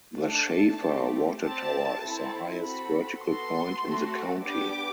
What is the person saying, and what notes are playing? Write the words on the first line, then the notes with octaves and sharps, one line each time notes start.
The Shafer watertower is the highest vertical point in the county.
A3 D4 A4 A5
A3 C4 G4
C4 G4 A5
C4 E4 A4
C4 F#4 A4 B5
B3 F#4 A4 C6
A3 C4 F#4 A4
B3 D4 G4 D6